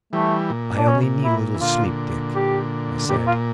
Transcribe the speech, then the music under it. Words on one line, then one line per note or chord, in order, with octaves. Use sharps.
"I only need a little sleep, Dick," I said.
E3 G3 A3
A#2
D4
A#2 C#4
C#3
A#2
E4
E3
A#2 D3 F4
G4
A#2 G4
F4